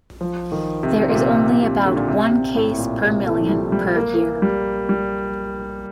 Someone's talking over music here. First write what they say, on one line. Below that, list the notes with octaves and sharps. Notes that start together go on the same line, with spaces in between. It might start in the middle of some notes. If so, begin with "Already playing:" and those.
There is only about one case per million per year.
F3
D#3
C3
A#2
C3
C3
D3
A#2
C3
C3
A2
A2
A#2
C3
A3
F3
G3
G3
A#3
A#3
G3
G3